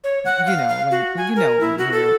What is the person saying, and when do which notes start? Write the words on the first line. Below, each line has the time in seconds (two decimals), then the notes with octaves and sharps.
You know, when you well, you know it when you hear it.
0.04 C#5
0.25 F#5
0.46 F5
0.68 F5
0.91 F#4
1.17 G#5
1.36 A#4
1.61 E4
1.78 F#4
1.92 A4